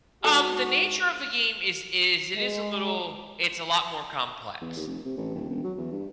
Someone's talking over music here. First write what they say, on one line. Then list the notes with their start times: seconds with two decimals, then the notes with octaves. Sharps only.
Um, the nature of the game is is it is a little it's a lot more complex.
0.24 G#2 F#4 A4
2.35 G#3
4.61 E2
4.76 D#2
4.87 F1
5.05 C3
5.17 A1
5.35 D#1
5.49 E1
5.64 F#3
5.77 E2
5.92 G2